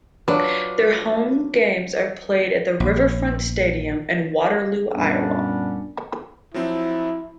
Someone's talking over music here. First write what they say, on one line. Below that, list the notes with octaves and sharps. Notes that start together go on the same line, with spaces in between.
Their home games are played at the Riverfront Stadium in Waterloo, Iowa.
F#3 D4 F4 B4
A#1
F#2 A#2 G3 B3 C#4 D4
F3 F#3 C4 E4